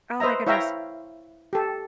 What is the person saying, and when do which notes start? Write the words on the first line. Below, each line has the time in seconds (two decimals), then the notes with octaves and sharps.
oh my goodness
0.20 B4 C5 D#5 E5 A#5
0.47 E4 C#5 E5 F5 G5 A#5
1.53 G4 A4